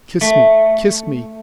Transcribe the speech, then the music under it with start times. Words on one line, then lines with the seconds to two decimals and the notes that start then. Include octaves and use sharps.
Kiss me, kiss me!
0.21 A3